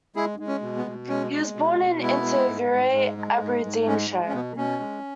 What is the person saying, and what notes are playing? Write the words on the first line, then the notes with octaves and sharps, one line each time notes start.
He was born in Inverurie, Aberdeenshire.
G#3 E4 G#4
G#3
C#4
B2
B3
B2
G#3 C#4
G#3
B2
B2
G#3 B3 E4
G#3
G#2
G#2
G#3
G#3
G#2
G#2
G#3 C#4
G#3
C#4
B2 B3
B2 C#4
G#3